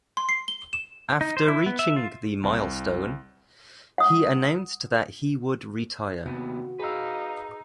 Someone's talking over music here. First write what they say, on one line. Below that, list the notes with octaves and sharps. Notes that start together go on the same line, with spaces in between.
After reaching the milestone, he announced that he would retire.
C6
C7
G7
E7
D#4
C5
E4
B3
E5
F4
C2
F#5 D#6
D#2 C3 B3 F#4
D#4 G#4 B4 F5 E6